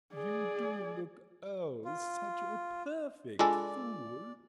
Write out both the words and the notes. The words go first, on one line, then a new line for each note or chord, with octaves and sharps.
"You do look, oh, such a perfect Fool!"
G#4 D5
F4
G#3 D4 F4 A4 D5 G#5